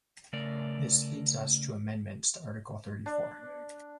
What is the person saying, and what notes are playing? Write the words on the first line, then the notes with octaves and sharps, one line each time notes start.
This leads us to amendments to article thirty-four.
C#3 A3 A#4 D5
D4